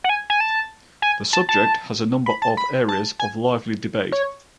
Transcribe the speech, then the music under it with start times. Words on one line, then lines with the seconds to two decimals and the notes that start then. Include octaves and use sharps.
The subject has a number of areas of lively debate.
0.04 F#5
0.09 G#5
0.30 G#5
0.40 A5
1.02 G#5
1.33 A5
1.49 A5
2.26 B5
2.42 A5
2.57 B5
2.89 A5
3.19 G#5
4.12 C#5